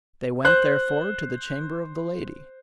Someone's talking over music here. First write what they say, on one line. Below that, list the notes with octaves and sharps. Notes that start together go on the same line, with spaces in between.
They went therefore to the chamber of the lady.
C5 F#6